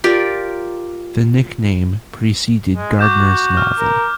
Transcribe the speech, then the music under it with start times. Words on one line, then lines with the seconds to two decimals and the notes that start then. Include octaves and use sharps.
The nickname preceded Gardner's novel.
0.04 F4 G4 A#4 D5
2.76 G#3
2.99 F#4 D6 G6 E7
3.57 F6
3.79 A#4